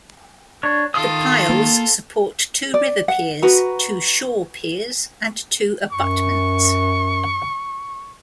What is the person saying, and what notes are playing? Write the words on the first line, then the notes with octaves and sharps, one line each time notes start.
The piles support two river piers, two shore piers and two abutments.
D4 C#5
D#3 F4 A4 D#6
A#3
D5
F#5
F#4 B4 A#5
F#2 C#6